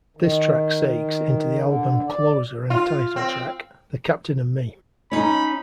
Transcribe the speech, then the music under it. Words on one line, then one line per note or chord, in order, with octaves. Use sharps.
This track segues into the album closer and title track, "The Captain and Me".
D#3
D3
D5
F4
C4
C#4 D#4 B5